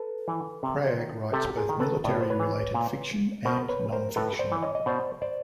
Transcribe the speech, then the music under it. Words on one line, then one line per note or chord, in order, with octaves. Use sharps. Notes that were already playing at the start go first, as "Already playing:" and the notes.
Cragg writes both military-related fiction and non-fiction.
Already playing: A4 B4
E3
C3
D#3
C3 G4 A4
G#4 A#4
D#3
A4 B4
A2 D5
C#5
C5
B4 C#5
E3
A#2
B2 A#4 C5
B4 C#5
A#4 C5
A2 A4 B4
C5 D5
E3
C#5 D#5
D#5
B2 C5 D5
C5 D5